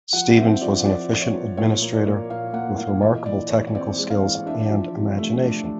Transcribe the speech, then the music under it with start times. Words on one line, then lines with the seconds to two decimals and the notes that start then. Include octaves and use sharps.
Stevens was an efficient administrator with remarkable technical skills and imagination.
0.13 F3 F#5
0.37 C4 E5
0.61 F3 D5
0.85 F3 D5
1.09 F3
1.22 C#5
1.34 F3
1.57 A#2 C#5
1.82 A#3
1.94 D5
2.06 A#3
2.30 A#2 F5
2.53 A#3 F#5
2.78 A#2 F5
3.02 E3 D#5
3.26 E3 D5
3.50 E3 C#5
3.75 C4 D5
3.99 G#3
4.10 F5
4.22 E3
4.46 D4 E5
4.70 F3
4.95 C3
5.19 A3
5.43 D4